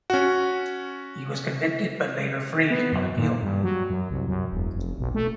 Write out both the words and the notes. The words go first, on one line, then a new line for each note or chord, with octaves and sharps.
He was convicted but later freed on appeal.
C#4 F#4
B3
F#2
A#2
G2
F#3
F#2
C2
F#2
E1
F1
B1
A3